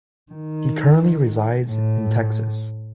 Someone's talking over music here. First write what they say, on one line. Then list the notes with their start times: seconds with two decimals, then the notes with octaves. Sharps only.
He currently resides in Texas.
0.32 D#3
1.66 A2